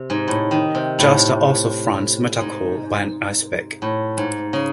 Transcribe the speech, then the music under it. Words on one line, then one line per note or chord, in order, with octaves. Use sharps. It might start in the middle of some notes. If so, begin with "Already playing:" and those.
Jasta also fronts metalcore band Icepick.
Already playing: C3
G#2
A2
D#3
C3
A2
G#2
A2
G#2
C#3